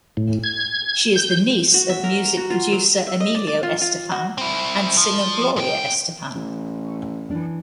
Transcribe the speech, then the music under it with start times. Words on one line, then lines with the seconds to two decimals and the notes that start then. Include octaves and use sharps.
She is the niece of music producer Emilio Estefan and singer Gloria Estefan.
0.17 A2
0.44 G#6
1.15 G6
1.74 F#4
1.89 E5
2.04 A#4
2.25 A#5
2.37 F#4
2.50 F4
2.72 F#3
3.07 E5
3.20 D#5
3.35 D5
3.47 D5
3.63 F4
3.81 F4
4.12 F#4
4.38 C4 E4
4.97 F3
5.56 G#2 G5
6.35 A1
7.30 E3 D4